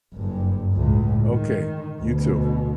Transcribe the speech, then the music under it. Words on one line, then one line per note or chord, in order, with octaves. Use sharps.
Okay, you too.
F#1 G2
C#2 A2
D#3
D2 B2